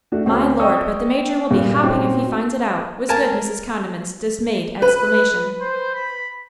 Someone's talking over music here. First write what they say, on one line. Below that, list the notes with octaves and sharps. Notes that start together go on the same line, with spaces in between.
"My Lord, but the major will be hopping if he finds it out!" was good Mrs. Condiment's dismayed exclamation.
A3 D4 F#4
D2 A3 C4 C#4
D5 D#5 G5 C#6 D#6 E6
G2 A#2
A#2 C4 C#4 D#4 F#4
A#4 G#5 A5
B4 F#6
C5
B5